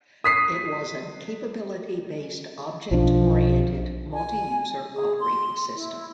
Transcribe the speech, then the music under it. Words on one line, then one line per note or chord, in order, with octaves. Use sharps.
It was an capability-based object-oriented multi-user operating system.
D#6 B6 C7
B1 F3 D4
G#5
G#4
C6
E4